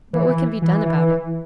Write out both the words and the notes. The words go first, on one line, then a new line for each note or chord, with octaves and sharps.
But what can be done about it?
E3
E3
E3
E3